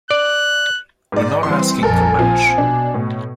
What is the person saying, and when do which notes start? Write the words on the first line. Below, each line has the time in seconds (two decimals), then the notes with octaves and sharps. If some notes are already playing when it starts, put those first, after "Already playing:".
We're not asking for much.
0.11 D5 F#6
1.12 G#2 D5
1.43 E3 G3 C4 C6
1.83 A#1 F2 A4 A#4 G#5
2.19 A#2 F3 C4
2.58 B2 D4
2.94 A2